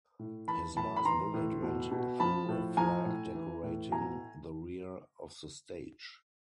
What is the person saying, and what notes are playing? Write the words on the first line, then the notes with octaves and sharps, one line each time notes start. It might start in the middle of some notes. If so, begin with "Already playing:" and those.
His last bullet went through a flag decorating the rear of the stage.
A2
E3 A5 B5
A2 A5 B5
B5
E3 A#5 C6
A2
B2
B2
F3 A5 B5
A2
F3 G#5 A#5
A2
E3
A2
B2 G#5 A#5